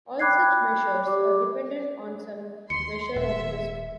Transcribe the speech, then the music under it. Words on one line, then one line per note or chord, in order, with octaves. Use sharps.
All such measures are dependent on some measure of risk.
G5 B5 D6 F#6 G#6 C7
G4 D5 D6
D#2 C6 C#7
D#1 G#2 E5